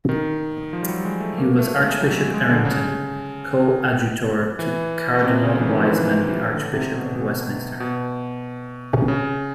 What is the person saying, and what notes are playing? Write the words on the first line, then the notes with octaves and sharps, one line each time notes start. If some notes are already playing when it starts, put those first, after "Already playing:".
He was Archbishop Errington, Co-Adjutor to Cardinal Wiseman the Archbishop of Westminster.
D#3
F3
G3
F#3
G#3
A3
A#3
A3
G#3
F#3
G#3
G#3
D3
C#3
E3
B2
C3
C#3
E3
D#3
F3
E3
D3
C3
B2
B2
B2
C#3